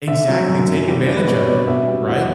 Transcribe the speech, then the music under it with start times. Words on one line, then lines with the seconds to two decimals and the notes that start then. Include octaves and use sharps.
Exactly, take advantage of it, right?
0.08 D3 E5
0.28 F#3
0.48 F#2
0.68 F#2
0.88 G3
1.07 D4
1.17 B4
1.27 B2 C#5
1.48 B2 D5
1.67 B2 E5
1.88 G3
2.07 E2 F#5